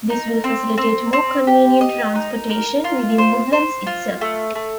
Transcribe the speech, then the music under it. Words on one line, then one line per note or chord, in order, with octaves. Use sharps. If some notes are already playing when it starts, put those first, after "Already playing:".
This will facilitate more convenient transportation within Woodlands itself.
D#4
C4
C4
C4
G4
D#5
D#4
A#4
F4
C5
C5
F4
A3
A3